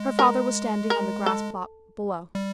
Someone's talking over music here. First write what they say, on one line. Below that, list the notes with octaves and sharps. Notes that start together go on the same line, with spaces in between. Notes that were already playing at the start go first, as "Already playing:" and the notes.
Her father was standing on the grass-plot below.
Already playing: G#3
A#4
A#4
A4
G3